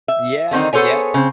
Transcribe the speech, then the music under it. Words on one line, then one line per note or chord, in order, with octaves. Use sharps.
Yeah, yeah,
E5
D3 D#3 C4 D#4
B3 G#4 A4 C5 C#5 G#5
C#3 C4